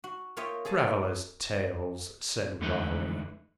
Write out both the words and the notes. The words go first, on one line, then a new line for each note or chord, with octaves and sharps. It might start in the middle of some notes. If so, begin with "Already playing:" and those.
"Travellers' tales," said Raleigh.
F#4
A#3 F4 C#5 D#5 E5 G5
G#4 A4 D#5 A5
D3 E3 G#3 A3 D#4 B4